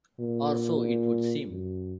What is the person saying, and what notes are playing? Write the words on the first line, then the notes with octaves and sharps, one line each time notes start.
Or so it would seem.
A#2
F#2